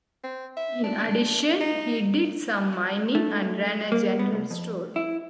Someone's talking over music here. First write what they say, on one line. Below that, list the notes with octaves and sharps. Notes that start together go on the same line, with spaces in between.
In addition, he did some mining and ran a general store.
C4
E5
D4
D#4
A3
A#3
B3
C2
F2
E4